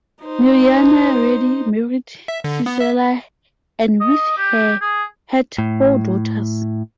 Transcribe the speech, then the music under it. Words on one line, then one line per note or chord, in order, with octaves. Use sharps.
Naryana Reddy married Suseela and with her had four daughters.
D#4 C5
E5
D3
B3
E5
D#5
G4
G#4
A2